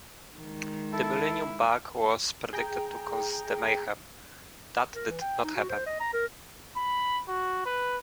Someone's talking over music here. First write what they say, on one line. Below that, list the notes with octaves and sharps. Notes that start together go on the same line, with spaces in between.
The millennium bug was predicted to cause the mayhem. That did not happen.
D#3 G#3
E4 A4
G#4 G5 A#5
A#4
E3
G5
D#4
F#4
C5
D#5
A#5
A#4
B5
F#4
B4